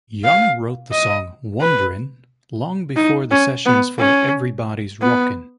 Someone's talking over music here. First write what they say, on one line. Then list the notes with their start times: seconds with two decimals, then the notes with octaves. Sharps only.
Young wrote the song "Wonderin'" long before the sessions for "Everybody's Rockin"'.
0.25 F5
0.92 D#5
1.61 B4
2.97 D#4
3.31 C#4
3.65 B3
3.99 C#4
5.02 B3